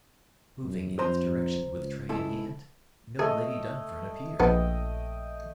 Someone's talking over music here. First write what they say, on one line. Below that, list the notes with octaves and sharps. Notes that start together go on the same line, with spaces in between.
Moving in its direction with tray in hand, no Lady Dunfern appeared!
F#2
F2 C5 A#5 C6
C#2
G#2 E4 A4
A3 G#4 C#5 D#5
A#1 B3 A4 D#5 G5